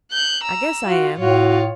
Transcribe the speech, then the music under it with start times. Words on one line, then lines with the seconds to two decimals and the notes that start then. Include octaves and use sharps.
I guess I am.
0.12 F#6 G6
0.43 A#5 E6
0.86 F4 F#4
1.18 A2 F4 F#4 C#5